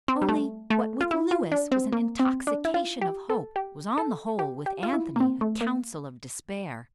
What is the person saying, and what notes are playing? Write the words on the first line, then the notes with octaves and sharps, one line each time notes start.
Only what with Louis was an intoxication of hope, was on the whole with Anthony a counsel of despair.
C4
G3
A3
A3
F4
E4
F4
D4
C4
A#3
C4
D4
E4
F4
G4
A4
G4
A4
G4
G4
F4
E4
A#3
C4
A3
A#3